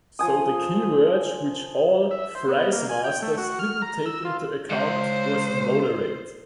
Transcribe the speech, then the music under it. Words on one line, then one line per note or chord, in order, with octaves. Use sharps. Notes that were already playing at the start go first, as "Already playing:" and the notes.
So, the keyword which all fries-masters didn’t take into account was - moderate.
F3 G#5 D#6
E5
C5
B3
A#3
G#5
G5
A3
F#4
F6
A#5
E6
F4
C#2 C5